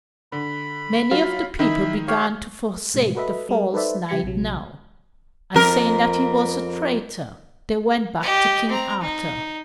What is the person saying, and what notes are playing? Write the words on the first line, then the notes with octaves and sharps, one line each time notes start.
Many of the people began to forsake the false knight now, and saying that he was a traitor, they went back to King Arthur.
D3 B5
F#3 F4
D#3 D#4 E4 B5
G4 C#5 F5
A2 C3 G#3
F#4 A4 B4 D#5 E5 B5
G3 G#4 A#4
D#4 A4 B4 C5 D5 E5
C#3 G3 G4 G#6 B6 C#7
A#1 C3 F#3
F2 A#4
G4 D#5
C4 A#5
D#4